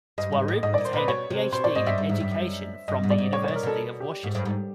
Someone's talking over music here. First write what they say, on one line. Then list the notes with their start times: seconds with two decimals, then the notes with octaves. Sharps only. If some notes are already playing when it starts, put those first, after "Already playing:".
Swaroop obtained a Ph.D. in Education from the University of Worcester.
0.18 G2 D#5
0.32 G#2
0.48 A2
0.63 G#2 D#5
0.74 A#2 D5
0.85 C5
0.93 A#2 B4
1.08 B2 C#5
1.30 C3
1.53 B2 C5
1.64 A#2 D5
1.75 G#2 D#5
1.86 G2 E5
1.98 G#2
2.09 G#2
2.20 G2
2.31 F#2
2.88 G2 D#5
3.03 G#2
3.10 D5
3.18 G#2
3.33 A2 C#5
3.44 B2 C#5
3.55 A#4
3.63 B2 A4
4.00 G4
4.23 G#2
4.35 G2
4.45 G#2